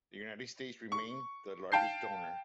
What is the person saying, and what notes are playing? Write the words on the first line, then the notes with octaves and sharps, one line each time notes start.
The United States remain the largest donor.
C#6
F5 G5 A5 G6 C7